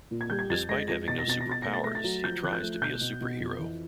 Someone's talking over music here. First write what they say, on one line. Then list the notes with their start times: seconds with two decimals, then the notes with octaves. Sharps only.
Despite having no superpowers, he tries to be a superhero.
0.11 A#2
0.21 G#6
0.30 G3 G6
0.39 G#6
0.50 F2 A6
0.69 G#3 A#6
0.88 F2 A#6
1.08 B2 A6
1.18 A#6
1.27 B2 A6
1.41 A#6
1.46 B2
1.51 A6
1.62 A3 A#6
1.73 A6
1.84 A3 A#6
1.95 A6
2.04 F#3
2.24 F3 G6
2.43 F3 F#6
2.53 G6
2.62 A3
2.81 B2 G6
3.01 B2
3.21 B2
3.40 F2
3.59 E3